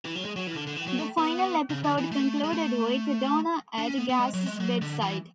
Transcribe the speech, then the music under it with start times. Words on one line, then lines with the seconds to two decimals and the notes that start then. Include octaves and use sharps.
The final episode concluded with Donna at Gaz's bedside.
0.05 E3
0.15 F#3
0.25 G#3
0.36 F#3
0.47 E3
0.56 D3
0.67 D3
0.76 E3
0.88 F#3
0.98 A3
1.18 B3
1.70 C#3
1.84 D3
1.98 E3
2.12 A3
2.44 G#3
2.53 A3
3.78 D4
3.88 C#4
3.98 B3
4.09 B3
4.19 G#3
4.34 F#3
4.46 G#3
4.60 F#3
4.82 D3
5.02 E3